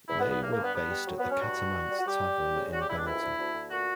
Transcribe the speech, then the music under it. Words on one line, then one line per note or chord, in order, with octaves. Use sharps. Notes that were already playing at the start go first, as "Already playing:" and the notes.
They were based at the Catamount Tavern in Bennington.
E2 E4
B3
E2
B3
G2 A#3
A#3
G2
B3
G2 B3
G3
F#3
B3
F#3
C#4
G2 F#4
G2
G3
G3
F#4
G3 G4
G3
G3
C#3
G3 F#4
G4
C#2 E4
D4
D2 E4
D2
D2
D2
A#2 F#4